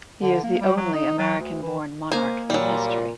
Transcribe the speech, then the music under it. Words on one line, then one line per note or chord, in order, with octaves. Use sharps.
He is the only American-born monarch in history.
D3
A#3
G3
F#3
D#4
F#3
D2
E3
A#3 C5 D#5 G#5
A#2 F#3 G3